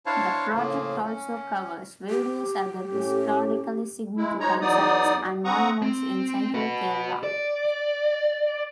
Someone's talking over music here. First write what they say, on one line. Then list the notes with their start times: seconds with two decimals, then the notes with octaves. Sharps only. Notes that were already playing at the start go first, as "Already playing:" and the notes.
The project also covers various other historically significant sites and monuments in central Kerala.
0.06 D4 E4 C5 C#5 F5 A5
0.54 A2 C#3 F3 A#3
1.06 C#4
2.10 G4
2.92 A2 A3 C#4
4.17 G#3 E4
4.40 F3 G#3 D#4 C#5 A#5
4.61 E2 F#3 B3 D#4 D5 D#6
5.45 D3 C4 F#5 A#5 C#6 D#6
5.82 C4
6.54 F#4 B4
7.24 D5